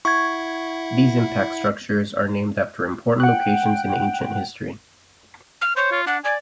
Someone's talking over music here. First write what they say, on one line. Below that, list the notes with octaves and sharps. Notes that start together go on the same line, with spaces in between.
These impact structures are named after important locations in ancient history.
E4 E5 F#5 C#6 G#6
F#5 G5 F#6
F6
C5 C#5
F4
D4 F#5
D5 G#5